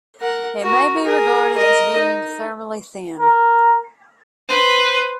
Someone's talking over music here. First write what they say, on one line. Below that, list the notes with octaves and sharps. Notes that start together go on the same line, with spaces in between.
It may be regarded as being "thermally thin".
A#4 F#5
F#4 A#4
G#4 A#4
A#4 D#5
D#4
A#4
B4 C5